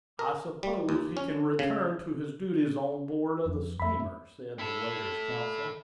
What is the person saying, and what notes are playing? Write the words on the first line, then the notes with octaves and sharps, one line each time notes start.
"I suppose he can return to his duties on board of the steamer," said the waiter's counsel.
A#4
G3
D#2
C#4
C#3
F2
F2 E5 B5
E4 A4